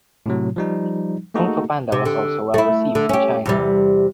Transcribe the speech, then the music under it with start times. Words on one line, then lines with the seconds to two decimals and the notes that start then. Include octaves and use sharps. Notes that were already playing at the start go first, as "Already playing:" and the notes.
"Kung Fu Panda" was also well received in China.
0.26 A2 C3 F#3
0.56 F3 G3 D#4
1.34 A3 A#3 D#4 F#4 G#4 A4
1.92 C3
2.05 D3
2.54 A3 E4
2.95 D3
3.09 C#4 G4
3.46 E2 C3 G3